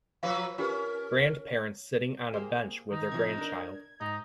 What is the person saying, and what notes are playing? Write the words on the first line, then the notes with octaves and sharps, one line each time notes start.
Grandparents sitting on a bench with their grandchild.
F3 F#3 F4 B4 F5
C#4 F4 G4 A#4 B4
A#3 G4 G#4 C5
D#3 D#4
C3 F3 G#6
D4 A#4
G#2 D#4